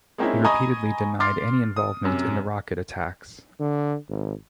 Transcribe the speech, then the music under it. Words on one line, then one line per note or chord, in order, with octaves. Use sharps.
He repeatedly denied any involvement in the rocket attacks.
G#3 A#3 C4 C#4 D#4 E4
D#5 G#5 A#5 B5 C#6 D#6
C6 D6 F6 A6 C7
D#6
F#2 C3
D3
G#1